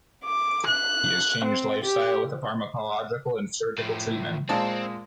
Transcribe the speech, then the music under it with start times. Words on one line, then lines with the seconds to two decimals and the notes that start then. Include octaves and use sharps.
He has changed life style with a pharmacological and surgical treatment.
0.25 D6
0.68 F#6
1.45 C4
1.85 G4
3.78 A2 F3
4.49 A#2 G#3 C4 A5